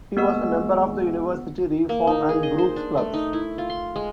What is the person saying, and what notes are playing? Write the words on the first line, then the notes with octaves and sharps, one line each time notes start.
He was a member of the University, Reform, and Brooks's Clubs.
G#3 A#3 B3 F#4 D#5 E6
A#3
D#4
G#4
D#5
C5
D4
A3
D#4
E4
F4
C6
G#3